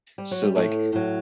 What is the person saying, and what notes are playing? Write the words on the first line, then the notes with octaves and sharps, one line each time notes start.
So, like,
G3
F#3
G3
A2 A3
A2 F#3